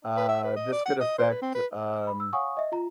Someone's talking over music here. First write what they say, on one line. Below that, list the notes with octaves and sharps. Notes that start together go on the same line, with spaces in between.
uh, "This could affect, um
B4
E5
B4
D#5
D5
F#5
D#5
C5
B4
C4
B4
B5
E6
C#5 F5 F#5 G#5 C#6 D#6
D#5 E5
F4 A#5